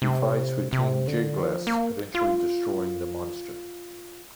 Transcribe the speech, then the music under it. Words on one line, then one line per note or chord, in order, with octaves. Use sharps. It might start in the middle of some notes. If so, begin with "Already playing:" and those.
He fights with King Jyglas, eventually destroying the monster.
C3
C3
D3
F3
A#3
F4